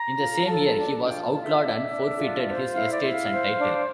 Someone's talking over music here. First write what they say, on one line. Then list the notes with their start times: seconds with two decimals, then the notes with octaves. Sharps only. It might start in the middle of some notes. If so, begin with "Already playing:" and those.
In the same year, he was outlawed and forfeited his estates and title.
Already playing: A#5
0.18 F4
0.47 A4 A5
0.75 D4
1.03 F4 G5
1.22 A5
1.31 F4
1.41 E5
1.60 D4
1.88 D4
2.16 F4
2.45 C5
2.73 E4 F5
2.92 D5
3.02 E4
3.11 F5
3.30 C5
3.58 D4